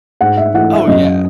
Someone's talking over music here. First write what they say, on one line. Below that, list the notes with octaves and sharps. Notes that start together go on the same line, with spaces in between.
Oh, yeah.
G#2 F#5
E5
E3 A3 F#5
E5
F#2 D#5